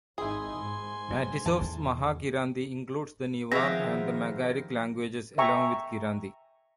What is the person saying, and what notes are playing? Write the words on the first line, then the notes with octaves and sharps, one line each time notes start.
Matisoff's Mahakiranti includes the Newar and the Magaric languages along with Kiranti.
G#1 D#4 E4 G#4 G#5 C6
G#2
G2 C3 F#3
E2 A2 D#3 A5
D#3 F3 B3 C4 G#4 E5 F5 A#6
E5 G5 G#5 A#5 C#6